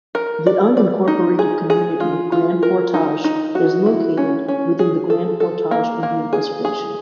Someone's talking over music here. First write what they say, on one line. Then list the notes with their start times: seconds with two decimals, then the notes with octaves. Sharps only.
The unincorporated community of Grand Portage is located within the Grand Portage Indian Reservation.
0.15 A#4
0.46 D5
0.77 D5
1.08 D#4
1.39 G#4
1.70 G#4
2.00 F4
2.32 F4
2.63 A#4
2.94 D#4
3.24 D#4
3.55 F#4
3.86 E4
4.17 C#4
4.48 C#4
4.79 G#4
5.10 A4
5.40 A4
5.71 A#3
6.03 A#3
6.33 G#4
6.65 G#4